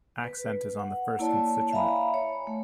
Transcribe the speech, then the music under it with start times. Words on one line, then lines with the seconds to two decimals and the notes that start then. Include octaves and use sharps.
Accent is on the first constituent.
0.24 B4
0.79 F#5
1.19 A#3 E4 C#5 D5 A5
1.73 E5 F5 G#5 A#5 B5
2.14 C#5
2.47 A3